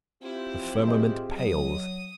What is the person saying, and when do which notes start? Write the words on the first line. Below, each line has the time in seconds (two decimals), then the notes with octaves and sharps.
The firmament pales.
0.23 C4 E4 F4 G4
0.60 F3
0.88 A2 G#4 D#5
1.35 F#3 D#6